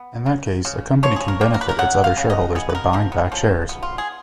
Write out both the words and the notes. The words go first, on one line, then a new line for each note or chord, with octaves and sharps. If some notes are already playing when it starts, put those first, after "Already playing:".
In that case a company can benefit its other shareholders by buying back shares.
Already playing: B3
C#3
C#3
F3 C#5
G#4
A#4
A#3
A#4
B4
A#4
C#3 F#5
F5
C#3
D#5
B3 G#4
B4
A#4
F3 A#4
B3
F3 C#4
B3
F4
G#4